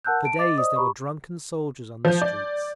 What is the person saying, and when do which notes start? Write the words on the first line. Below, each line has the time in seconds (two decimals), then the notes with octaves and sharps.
For days there were drunken soldiers on the streets....
0.05 A#4 F#5 A5 E6 F#6 G6
0.23 A5 D7
0.38 D#5 D6 A6
0.58 C5 D5 D#5 D#6
0.76 G4 A#5 B5 C#6
2.05 F3 G6
2.22 D5